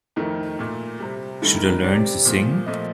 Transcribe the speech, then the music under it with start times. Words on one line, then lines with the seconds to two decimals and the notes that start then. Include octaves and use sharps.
Should I learn to sing?
0.16 F2 D#3 A3 A#4
0.59 A#2 A3
1.00 C3 G3
1.42 G2 D#3 A3 A4
1.56 A#4
1.70 A#4
1.84 C3 G3 D5
2.25 A#2 F3 A3
2.66 A#2 F3 A3 D#5